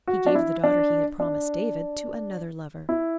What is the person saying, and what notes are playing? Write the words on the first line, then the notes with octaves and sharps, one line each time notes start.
He gave the daughter he had promised David to another lover.
F#4
D4
E4
D4
D4
E4